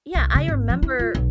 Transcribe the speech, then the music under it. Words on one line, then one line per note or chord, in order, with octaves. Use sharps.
Yeah. I remember
C2
C#3
G#1
F3
E4
F4
B1